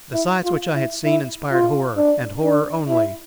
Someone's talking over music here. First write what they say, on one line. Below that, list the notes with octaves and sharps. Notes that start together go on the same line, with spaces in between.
The sights which I had seen inspired horror, and horror only.
E4
F4
E4
E4
F4
D4
D4
E4